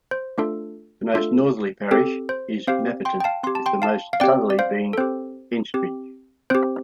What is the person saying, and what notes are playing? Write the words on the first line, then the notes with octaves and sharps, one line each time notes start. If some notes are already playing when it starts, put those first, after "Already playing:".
The most northerly parish is Mapperton with the most southerly being Henstridge.
C5
A3 D4 F4 A4
A3 D4 F4 A4
C4 G4 A4
C5
C4 G4 C5 F5
G5 C6
G5
F5 A5
C4 G4 C6
A5
G5 C6
F5 A5
F5
C4 G4 D5 G5
D5
C5 F5
A4
C4 G4 C5
C4 G4
C4 G4 C5